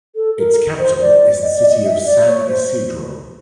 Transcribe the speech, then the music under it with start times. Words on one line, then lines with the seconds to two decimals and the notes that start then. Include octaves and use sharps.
Its capital is the city of San Isidro.
0.16 A4
0.38 A#4
0.79 C5
1.01 D5
1.42 D#5
1.57 D5
1.70 D#5
1.85 E5
2.06 D5
2.27 C#5
2.48 C5